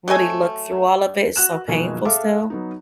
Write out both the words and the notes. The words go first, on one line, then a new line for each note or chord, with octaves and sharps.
really look through all of it. It's so painful still,
F#3 A3 D#5 G#5
F#4 F#6 E7
F#1 B2 D#3 F3 D#4 G#5
G#4 A4 E5 F5 D6
F#3 B3 D#4